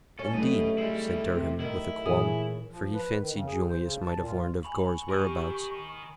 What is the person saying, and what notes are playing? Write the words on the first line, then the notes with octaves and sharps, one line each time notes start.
"Indeed?" said Durham, with a qualm, for he fancied Julius might have learned of Gore's whereabouts.
C#4 A4
F#3 A3 D#4 G4 B4 D#5
G3 G#3 E4 C7
C3
D#3 E4
A#2 E3 G#4 C#5
F3
B4
D#3
C#3
G#4
C5
C#3
A5
A#2
F4
G#5 B5 C#6 F#7
G4 A#4 D#5